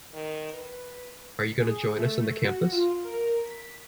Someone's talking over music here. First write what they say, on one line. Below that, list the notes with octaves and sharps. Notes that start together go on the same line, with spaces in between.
Are you gonna join us in the campus?
D#3
B4
G#4
A3
F#4
F4
A#4
B6